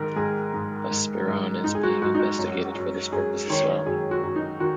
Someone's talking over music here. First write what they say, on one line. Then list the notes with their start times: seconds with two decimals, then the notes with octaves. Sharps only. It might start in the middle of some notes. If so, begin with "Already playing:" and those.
Buspirone is being investigated for this purpose as well.
Already playing: G#2 D#3 A#4
0.16 G#2 G#4
0.54 G#2
0.91 G#2
1.28 G#2
1.64 G#2 D#4
1.75 G#4
1.83 F#4
2.01 G#2 F#4
2.15 D#4
2.19 F#4
2.39 F#2
2.75 F#2
3.12 F#2 G#4
3.50 D#3 C#5
3.86 F#2 G#4
4.11 F#4
4.23 F#2
4.36 D#4
4.60 D#3 F#4